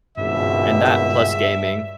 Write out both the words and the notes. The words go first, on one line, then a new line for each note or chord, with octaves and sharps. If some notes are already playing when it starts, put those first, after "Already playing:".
and that plus gaming.
G#1 C#2 G2 B2 E5